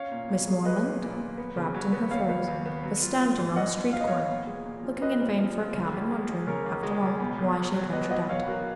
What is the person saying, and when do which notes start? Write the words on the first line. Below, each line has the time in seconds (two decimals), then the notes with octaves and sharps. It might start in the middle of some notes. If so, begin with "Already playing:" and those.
Miss Moreland, wrapped in her furs, was standing on a street corner, looking in vain for a cab, and wondering, after all, why she had ventured out.
Already playing: C#4 C#5 F5
0.11 A#2
0.29 B1
0.47 G#3
0.65 G#3 B4 D#5
0.83 B1
1.02 A#2
1.20 A#2
1.38 B3
1.57 C#3
1.74 F#3
1.93 B3
2.11 D#2 C#5 F5
2.29 B3
2.47 D#2
2.65 B3
2.84 F#3
3.02 F4
3.20 F4
3.38 G#2
3.56 B3 D#5 F#5
3.75 F4
3.93 F#3 F5
4.01 D#5
4.07 B3 C#5 F5
4.29 A#2
4.47 G#3
4.66 A#2
4.83 F3
5.02 B3 B4 D#5
5.20 A#2
5.39 F3
5.57 F3
5.74 C#3
5.92 C#2
6.10 G#3
6.29 G#3
6.47 C#3 A#4 C#5
6.66 C#2
6.83 G#3
7.02 C#2
7.20 B2
7.38 B1
7.56 B1
7.74 F#3
7.93 B1 B4 D#5
8.10 F#3 D#5 F#5
8.29 B2 C#5 F5
8.47 F#3 F#4 A#4